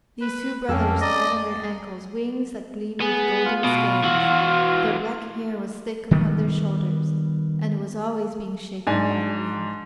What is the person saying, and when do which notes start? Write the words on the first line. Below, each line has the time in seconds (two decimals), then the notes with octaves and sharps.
These two brothers had on their ankles wings that gleamed with golden scales; their black hair was thick upon their shoulders, and it was always being shaken by the wind.
0.21 B4
0.69 F2 A#3 C#4 A4 G5 A5
1.01 D5 D#5 A#5 A#6
3.01 B3 G#4
3.45 F4
3.64 B2
4.04 E3 F#4
6.11 D#3 G3 B3
8.87 G#2 D4 G#5